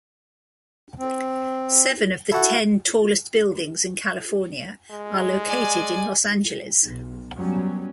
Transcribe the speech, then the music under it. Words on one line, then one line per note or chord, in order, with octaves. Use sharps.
Seven of the ten tallest buildings in California are located in Los Angeles.
C4
E4 F#4 A4
G#3
D5 G#5
B1
F#2 F#3 G3 B3 C#4